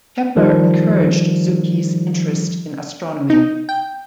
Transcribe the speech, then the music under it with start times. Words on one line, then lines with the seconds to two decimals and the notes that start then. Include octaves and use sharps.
Kepler encouraged Zucchi's interest in astronomy.
0.36 D#3 F3 G3
3.30 D#4
3.69 G5